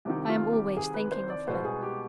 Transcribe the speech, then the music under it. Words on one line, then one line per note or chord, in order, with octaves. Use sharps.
I am always thinking of her.
C2 C3 D#3 G4
F4
G4
G#4
B4
C5
D5
C2 B2 G#3 B3 C5
G#4
G4